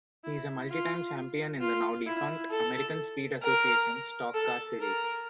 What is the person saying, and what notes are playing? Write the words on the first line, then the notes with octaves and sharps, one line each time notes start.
He is a multi-time champion in the now-defunct American Speed Association stock car series.
E4
F4
F4
E4
A4
A#4
A4
A#4